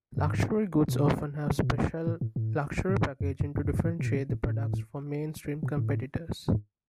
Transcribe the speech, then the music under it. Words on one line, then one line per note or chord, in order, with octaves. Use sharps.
Luxury goods often have special Luxury packaging to differentiate the products from mainstream competitors.
F#2
G#2
B2
C#3
B2
A2
A2
A2
A2
G#2
E2
F#2
F#2
F#2
E2
F#2
G#2
B2
A2
B2
A2
A2
B2
A2
G#2